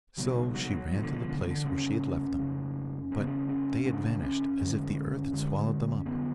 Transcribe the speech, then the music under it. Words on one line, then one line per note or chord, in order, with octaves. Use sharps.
So she ran to the place where she had left them, but they had vanished as if the earth had swallowed them up.
C#2 B2 F#3
F#3
C#2 B2 F3
D3
F3
D3
F3
D3
F2 C#3 C#4
F2 C#3
F2 C#4
C#3 B3
C#4
C#4
F2 C#3 D4
C#4
F2 D3
F2 D3
F2 D3 B3